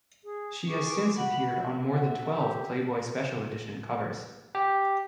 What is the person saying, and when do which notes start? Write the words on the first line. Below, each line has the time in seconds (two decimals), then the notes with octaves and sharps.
She has since appeared on more than twelve "Playboy Special Edition" covers.
0.24 G#4
0.68 G#4 C#6 D6
1.16 F#4 B5
1.54 E5
1.92 F#4
2.32 G4
4.55 G4